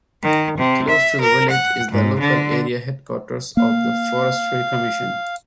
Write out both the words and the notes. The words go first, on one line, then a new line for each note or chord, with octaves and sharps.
Close to the village is the local area headquarters of the Forestry Commission.
D#3
C3
E5
A#4
F#5
G#2
D3
A#3 F5